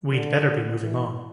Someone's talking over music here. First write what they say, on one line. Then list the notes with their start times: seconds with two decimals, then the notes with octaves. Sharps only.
We'd better be moving on.
0.12 D3
0.81 E3